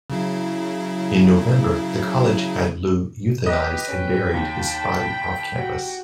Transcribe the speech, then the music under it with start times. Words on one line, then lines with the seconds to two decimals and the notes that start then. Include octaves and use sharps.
In November, the college had Lou euthanized and buried his body off campus.
0.10 C#3 F#3 E4
3.46 G4 B4 D#5
3.88 C#4 G5
4.34 D#2 A5 B5
5.54 F#4 G4